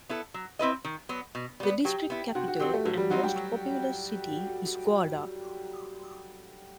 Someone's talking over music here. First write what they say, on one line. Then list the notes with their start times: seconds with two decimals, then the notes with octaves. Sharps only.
The district capital and most populous city is Guarda.
0.09 B3 E4 A4
0.34 F#3
0.59 C4 E4 B4 D#5
0.85 D#3
1.09 F#3 B3
1.35 B2
1.60 G3 B3
1.85 F#3 G4
2.10 B3 E4
2.35 C3 F#4
2.48 F#4
2.60 F#3 C4 G4
2.73 A3
2.85 A2 F#3
2.97 G3
3.10 F#3 C4 D#4 F#4
3.24 G4
3.36 F#3